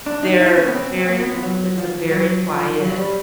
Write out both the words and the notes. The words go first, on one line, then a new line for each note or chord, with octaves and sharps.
they're very it's a very quiet,
D4
D#4
E4
C#4
B3
C4
C4
A#3
B3
F3
F#3
F3
F#3
F3
F#3
F#3
G3